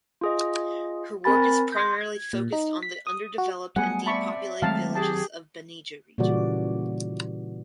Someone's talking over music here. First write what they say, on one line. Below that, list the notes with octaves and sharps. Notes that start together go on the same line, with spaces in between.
Her work is primarily focused on the underdeveloped and depopulated villages of Banija region.
F4 G#4 D#5
C4 A#4 G#5 B5 A6
C6 G6
G#6
A#2
D#4
B6
D#6
F#4
F#3 G3 A3 B3 G#4 F#5 G#5
C4 D5 E5 A5 B5 C#6
D#3 F#3 G#3 A3 C4 F5 A5
G4 G#4 A5
A#2 C#3 E3 G3 F#4 D5